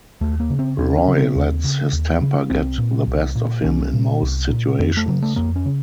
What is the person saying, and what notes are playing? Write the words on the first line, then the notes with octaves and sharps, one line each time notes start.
Roy lets his temper get the best of him in most situations.
D#2 A3
A#3
C#3
C4
D#2 C#4
C#4
C#3
C4
D#2
C#3
D#2
C#3
C2 C4
A#2
C2
A#2
C2 C#4
A#2
C2
A#2
F2 C4
A3
C#3 F#3
A3
F2 A#3
C#4
C#3